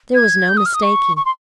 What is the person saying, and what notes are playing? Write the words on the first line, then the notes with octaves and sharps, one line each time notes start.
There was no mistaking.
G#6
G6
D#6
F6
D#6
C#6
C#6
C6